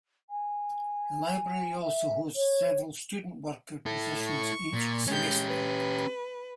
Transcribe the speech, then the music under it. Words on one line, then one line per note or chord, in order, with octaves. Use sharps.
The Library also hosts several student-worker positions each semester.
G#5
E5
C#5
E4 A4
C#6
A#2
G#3 C#4 G4 G6
B4